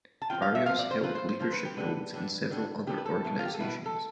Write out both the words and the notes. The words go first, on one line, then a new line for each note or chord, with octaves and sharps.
Barrios held leadership roles in several other organizations.
A5
F3 C4 F4 G5
F5
E5
F3 C4 F4 F5
D5
C5
F3 C4 F4 B4
C5
C5
F3 C4 F4 C5
B4
G4
D3 G3 D4 B4
D3 G3 D4
D3 G3 D4
D3 G3 D4 G4
B4
A4
B2 B3 E4
F4
G4
A4
B2 B3 E4 B4
A4